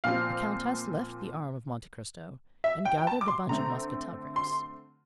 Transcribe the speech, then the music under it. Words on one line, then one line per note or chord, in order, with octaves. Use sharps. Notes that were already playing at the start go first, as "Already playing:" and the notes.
The countess left the arm of Monte Cristo, and gathered a bunch of Muscatel grapes.
A#2 F3 C4 F5
E5
G5
G5
A5
D6
C6
D3 A3 C4 A#5
C6